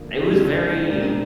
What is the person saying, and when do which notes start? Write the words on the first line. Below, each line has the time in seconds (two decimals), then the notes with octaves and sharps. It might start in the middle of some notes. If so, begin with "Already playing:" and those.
It was very
Already playing: D3 F3 A#3
0.27 F2 C3 G3 D4 G#4
0.88 A#2 G#3 D4 G4 A#4